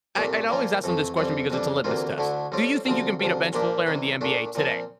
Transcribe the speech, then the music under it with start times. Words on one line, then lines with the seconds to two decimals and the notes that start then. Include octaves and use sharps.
I I'd always ask them this question because it's a litmus test, "Do you think you can beat a bench player in the NBA today?"
0.15 C2 A#2 A3 C4 G4
0.49 A#2 F3 A#3 F4
0.84 F2 E3 A3
1.17 F2 E3 G3 C4
1.51 F2 E3 G3 D4
1.84 D2 C3 E3 A#3 F4
2.18 D2 D3 A3 E4
2.52 A2 G3 C4 F4
2.85 D2 C3 F3 C4
3.20 D2 C3 F3
3.53 A#2 F3 A#3 D4 G4
3.87 C2 C3 E3
4.21 A#2 A3 D4
4.55 A#2 F3 C4